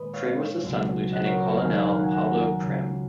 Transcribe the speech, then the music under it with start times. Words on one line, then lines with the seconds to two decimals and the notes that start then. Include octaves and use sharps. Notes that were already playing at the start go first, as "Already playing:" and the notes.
Prim was the son of lieutenant colonel Pablo Prim.
Already playing: A#2 D#3 G#3 B4 D#5
0.13 C#5 F5
0.63 C#2 B2 F#3
1.12 D#5 F#5
1.24 A#4 C#5
1.37 A#4 C#5
1.49 A#4 C#5
1.61 D#2 D#3 F#3 F5 G#5
1.88 F5
1.96 F#5
2.03 G#5
2.11 F#5 A#5
2.60 C#2 C#3 F#3